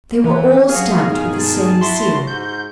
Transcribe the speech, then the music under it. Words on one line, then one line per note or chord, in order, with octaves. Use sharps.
They were all stamped with the same seal.
E3 B3
G2 F#3 F#4 G#4 F5
G2 B2 D#3 G#3
A5
E4 F#4 C6
G#2 G6